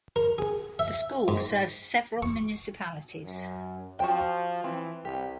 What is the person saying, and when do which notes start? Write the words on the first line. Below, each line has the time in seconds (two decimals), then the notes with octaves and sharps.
The school serves several municipalities.
0.16 A#4
0.38 G#4
0.79 E5
1.28 G#2
2.23 C#6
3.24 F#2
4.00 F3 F#4 C5 G5
4.64 E3 C4
5.05 C2 G4